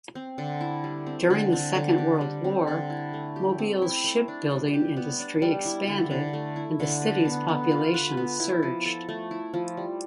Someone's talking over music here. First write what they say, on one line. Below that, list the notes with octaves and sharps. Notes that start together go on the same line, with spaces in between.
During the Second World War, Mobile's shipbuilding industry expanded and the city's population surged.
C4
D3
E4
G3
C4
D3
C4
D3
G4
G3
C4
D3
E4
A3
G4
C4
E4
A3
D4
G3
G4
B3
D4
G3
E4
D3
D3
A3
E4
D3
B4
B3
B3
F4
B4
B3
E4
F3
A4
A3
E4
F3
G3